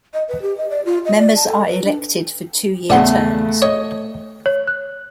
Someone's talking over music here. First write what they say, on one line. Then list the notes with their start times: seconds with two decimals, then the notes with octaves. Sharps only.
Members are elected for two-year terms.
0.14 D#5
0.29 B4
0.42 G4
0.58 D#5
0.70 D5
0.85 F4
1.05 D#5
1.19 D5
1.36 A5
1.48 A4
1.67 B4
1.84 D4
2.90 E2 C#3 A3 D4 F#5 C6
3.62 C#5 D#5
4.46 C#5
4.67 F#6